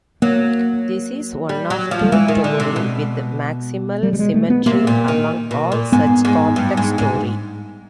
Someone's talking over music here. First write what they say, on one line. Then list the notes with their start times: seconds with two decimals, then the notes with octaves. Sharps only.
This is one of two tori with maximal symmetry among all such complex tori.
0.22 F#3 A#3
1.49 G3
1.70 F#3
1.91 F3
2.04 G3
2.12 E3 G#3
2.28 D#3
2.44 D3
2.60 C3
2.76 B2
4.03 G3
4.13 G3
4.19 G#3
4.34 A3
4.50 B3
4.66 C3 A#3
4.87 A#2
5.08 D#3
5.51 B2
5.72 A#2
5.92 G#2 B3
6.25 G#2
6.56 G2
6.77 G#2
6.98 G#2